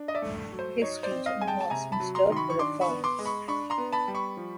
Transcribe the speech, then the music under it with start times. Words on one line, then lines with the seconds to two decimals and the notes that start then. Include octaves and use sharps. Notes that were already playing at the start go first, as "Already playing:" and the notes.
His teacher was a Mr. Brefhard.
Already playing: D4
0.08 D#5
0.15 D5 E5
0.22 A3
0.52 F#3
0.59 C5
0.82 D#4 C#5
1.03 C5 D5
1.11 C4
1.26 D#5 F5
1.41 G#3 G#5
1.48 G5 A5
1.61 A5
1.70 C3 G#5 A#5
1.92 A5 B5
2.00 F#3
2.15 A#5 C6
2.30 D#3 C6
2.36 B5 C#6
2.50 C#6
2.59 D4 C6 D6
2.81 B5 C#6
2.89 B3
3.04 C6 D6
3.19 G#3
3.25 B5 C#6
3.48 D4 B5 C#6
3.70 A#5 C6
3.78 B3
3.93 A5 B5
4.08 G3
4.15 B5 C#6
4.37 F3